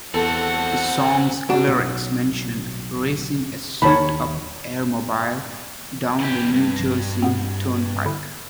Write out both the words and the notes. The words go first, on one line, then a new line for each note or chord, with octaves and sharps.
The song's lyrics mention racing a souped-up "air-mobile" down the New Jersey Turnpike.
E2 C4 F#4 A4 F#5
D4 F#4
B1
D#2 D#3 C#5 A5 B5
E3 G4
C2 G2
A#1 A#6
B2 B3 C4
D3 E4